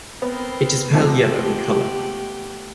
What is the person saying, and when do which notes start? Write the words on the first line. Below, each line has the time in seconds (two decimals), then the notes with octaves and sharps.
It is pale yellow in colour.
0.22 B3 C4 A#4
0.93 C3 F3 G#3 A3 B3 G4